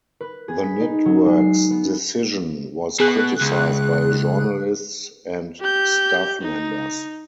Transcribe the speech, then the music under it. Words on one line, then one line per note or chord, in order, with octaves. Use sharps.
The network's decision was criticized by journalists and staff members.
B4
G#4
B6
D#4
F#3
G#3
C7
B3
B2 G#4 F#6
C#2
G4 G6
D#4